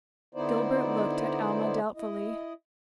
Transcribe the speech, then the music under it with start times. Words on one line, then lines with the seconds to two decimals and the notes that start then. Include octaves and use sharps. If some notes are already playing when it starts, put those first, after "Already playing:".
Gilbert looked at Alma doubtfully.
0.35 D3 B3 D#4 E4 C5 D5
1.96 E4 D#5